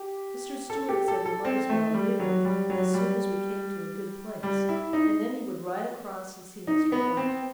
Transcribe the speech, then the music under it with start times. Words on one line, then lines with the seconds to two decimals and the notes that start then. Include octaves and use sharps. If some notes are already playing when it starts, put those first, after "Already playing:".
Mr. Stewart said we might as well "noon" as soon as we came to a good place, and then he would ride across and see Mr. White.
Already playing: G4
0.70 A4
0.89 G4
1.08 A4
1.26 A4
1.45 C4
1.69 A3
1.94 G3
2.20 F#3
2.45 G3
2.70 F#3
2.94 G3
4.43 G3
4.69 E4
4.93 D#4
6.67 D#4
6.92 B3
7.17 C4